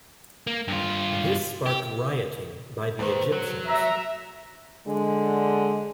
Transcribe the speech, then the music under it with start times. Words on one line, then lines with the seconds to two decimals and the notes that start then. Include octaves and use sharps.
This sparked rioting by the Egyptians.
0.47 A#3
0.68 G2 F4
1.66 G4
2.99 D#2 D#3 A4 B4 C5
3.32 F#3
3.68 E5 A#5
4.86 D3 G#3